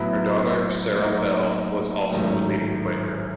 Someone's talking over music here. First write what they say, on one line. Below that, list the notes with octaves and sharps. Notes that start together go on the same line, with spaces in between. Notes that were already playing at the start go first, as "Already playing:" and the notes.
Her daughter Sarah Fell was also a leading Quaker.
Already playing: A2 F#3 B3 E4
A2 F#3 A#3 D#4 F#4
A1 G#2 D#3 F#3 A3